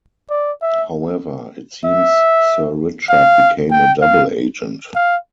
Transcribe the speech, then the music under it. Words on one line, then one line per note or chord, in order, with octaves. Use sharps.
However, it seems Sir Richard became a double agent.
D5
E5
E5
F5
G5
F5
F5